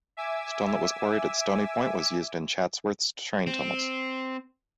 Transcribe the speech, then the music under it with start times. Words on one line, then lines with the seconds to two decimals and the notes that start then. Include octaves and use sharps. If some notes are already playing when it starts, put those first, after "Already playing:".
Stone that was quarried at Stoney Point was used in Chatsworth's train tunnels.
0.17 E5 G#5 D6 E6
3.47 C4